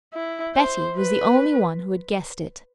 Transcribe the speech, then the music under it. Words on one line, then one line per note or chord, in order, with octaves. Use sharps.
Betty was the only one who had guessed it.
E4
C5
B4